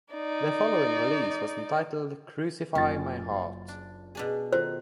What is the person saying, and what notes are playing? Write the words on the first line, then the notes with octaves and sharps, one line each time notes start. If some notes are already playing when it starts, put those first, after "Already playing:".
Their following release was entitled "Crucify My Heart".
D#4 D5
F#1 C#4 F4 A6
D4
B2 D4 G#4
D#3 F4 A4 C5